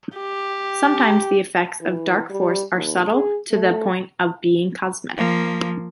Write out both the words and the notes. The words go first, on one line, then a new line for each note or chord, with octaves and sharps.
Sometimes the effects of Darkforce are subtle to the point of being cosmetic.
G4
E3
G3
D#2
G#4
A3
F3 A#3